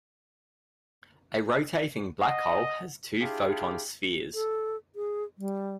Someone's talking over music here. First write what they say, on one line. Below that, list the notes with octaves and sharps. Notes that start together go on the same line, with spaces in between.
A rotating black hole has two photon spheres.
D#5 F#5
D4 E4 F4 G4 G#4
A4
G#4
G3